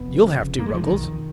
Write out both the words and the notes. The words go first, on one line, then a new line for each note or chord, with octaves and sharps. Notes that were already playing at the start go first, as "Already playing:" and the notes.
You'll have to, Ruggles.
Already playing: F1 B3
F2
C#3
F1
F1 A#3
G#3
F2 F3
D#3
B1